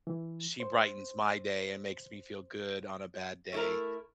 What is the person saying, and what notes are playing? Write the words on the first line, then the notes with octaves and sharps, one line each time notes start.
she brightens my day and makes me feel good on a bad day,
E3
C5
A3 E4 A#4